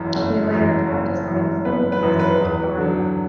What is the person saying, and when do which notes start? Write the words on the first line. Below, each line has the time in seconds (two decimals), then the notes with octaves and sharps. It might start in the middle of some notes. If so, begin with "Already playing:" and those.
He later practiced medicine in Santa Barbara.
Already playing: F#1 F#2 E3
0.15 F#1
0.53 F#2 E3
0.90 F#1
1.27 F#2 E3
1.65 F#1 B4
1.92 B4
2.03 F#2 E3
2.19 B4
2.40 E2
2.46 B4
2.78 D3 F#3